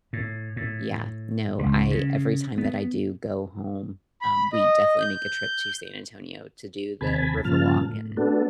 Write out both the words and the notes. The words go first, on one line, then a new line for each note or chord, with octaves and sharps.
Yeah. No, I every time that I do go home, um, we definitely make a trip to San Antonio to do the River Walk and
A2
A2
C#2
C#3
B3
B5
D#5
G6
D#2 C3 G#5 A5 B5
G2 A#2 C#3 F3 A5 F6
A2
A3 B3 D4 F#4 A4